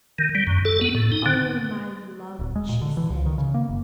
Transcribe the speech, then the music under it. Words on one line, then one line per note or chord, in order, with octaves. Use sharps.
"Oh, my love!" she said.
D#3
G3
F#2
A4
B3
A2
D#4
D3
D1
G#3
A#2
D3
E3
C#2
D#3
C#3
A#3
F#1